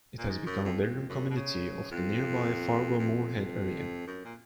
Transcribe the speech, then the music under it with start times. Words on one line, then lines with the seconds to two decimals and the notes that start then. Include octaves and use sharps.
It has become a bedroom community of the nearby Fargo-Moorhead area.
0.18 A#2
0.29 G#2
0.46 F#2
0.65 F2
0.82 F2
1.09 F#2
1.30 B2
1.36 C#3
1.91 F2
2.99 F2
4.07 F#2
4.25 A#2